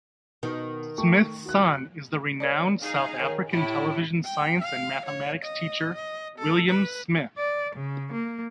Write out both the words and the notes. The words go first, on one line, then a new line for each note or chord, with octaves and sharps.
Smith's son is the renowned South African television science and mathematics teacher William Smith.
B2 D#3
A3 G5 C#6
F#4 F#6
A#4 C#5 D5
D#4 G#4 F5
D#3 C#5
A2 E4 G4
G5
F5
C#5
D#5
D#5
A4
B4
D5
C#3
A#3